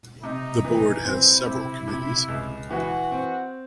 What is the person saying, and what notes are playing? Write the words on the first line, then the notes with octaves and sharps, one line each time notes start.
The board has several committees.
C3 D#4
E3
C4 E4
C3
C3
C#2
E3 F#4
C4